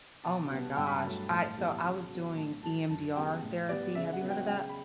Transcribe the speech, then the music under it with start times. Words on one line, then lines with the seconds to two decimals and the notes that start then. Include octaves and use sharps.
Oh my gosh, I so, I was doing EMDR therapy, have you heard of that?
0.24 B2 A5
0.51 G3 B3
0.77 G2 G5
0.88 B5
0.95 A5
1.04 F#3 A3
1.30 A2 A5
1.57 E3 G3 B3
1.83 C#3
2.10 F#3 B3
2.36 A2 A5
2.62 A3 A5
2.67 F#3
2.89 F#2 A5
3.16 C#3 G3 B3 G5
3.42 A2
3.69 G3 B3 D5
3.95 C#3 E5
4.13 F#5
4.22 F#3 B3
4.30 G5
4.48 C#3 G5
4.69 B5